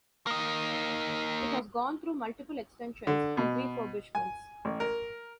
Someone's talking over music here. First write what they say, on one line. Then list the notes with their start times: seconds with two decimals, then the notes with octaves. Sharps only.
It has gone through multiple extensions and refurbishments.
0.27 A#3 D#4
3.07 D3
3.37 B2
4.15 G#5
4.65 A1
4.80 A#4